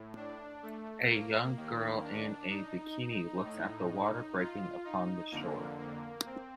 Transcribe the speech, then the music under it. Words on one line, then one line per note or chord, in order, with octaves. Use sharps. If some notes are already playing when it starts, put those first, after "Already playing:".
A young girl in a bikini looks at the water breaking upon the shore.
Already playing: A2
D4
A3
A#3
D#2 D#3 A#3
D4
D#4
A2
F4
D#4
F2 D3 A#3
A#3
C4